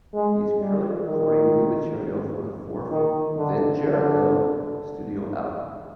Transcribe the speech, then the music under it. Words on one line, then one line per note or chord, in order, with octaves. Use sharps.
He is currently recording new material for the fourth Then Jerico studio album.
G#3
G3
D#3
D#3
D3
D3